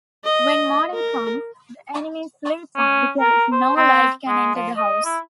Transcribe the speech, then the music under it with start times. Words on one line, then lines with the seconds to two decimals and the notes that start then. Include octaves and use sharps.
When morning comes, the enemies sleep on, because no light can enter the house.
0.25 D#5
0.95 A#4
2.76 C#4
3.20 A#4
3.52 C5
3.76 C4
4.27 G#3
4.55 F3
4.77 D#5
5.05 E4